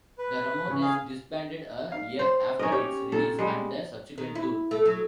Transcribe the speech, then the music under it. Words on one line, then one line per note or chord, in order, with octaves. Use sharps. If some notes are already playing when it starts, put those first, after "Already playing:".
The Ramones disbanded a year after its release and the subsequent tour.
B4
C#3 C#4
G#4 F5
F5
C5
C#4 A#4 D#5
G4 C#5
A#2 A4
G3 G#3
D#3
E4
A3
F#3